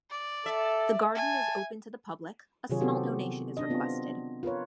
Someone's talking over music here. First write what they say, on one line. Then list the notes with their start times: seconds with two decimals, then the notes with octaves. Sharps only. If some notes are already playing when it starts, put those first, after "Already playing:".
The garden is open to the public, a small donation is requested.
0.10 D5
0.46 A4 E5
1.15 G#5 A5
2.70 C3 D#3 F#3 F4 G#4 C#5
2.81 B3 C4 F#4 G4 A4
3.57 D4 D#5
3.70 B3 C4 F4
4.43 F4 A#4 B4 C#5